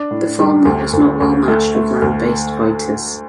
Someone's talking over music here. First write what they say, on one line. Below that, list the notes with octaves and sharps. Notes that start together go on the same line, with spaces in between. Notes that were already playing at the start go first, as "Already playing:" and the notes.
The Fulmar was not well matched with land-based fighters.
Already playing: D4
A2
G3
D2
D2
D2
A3
A3
D2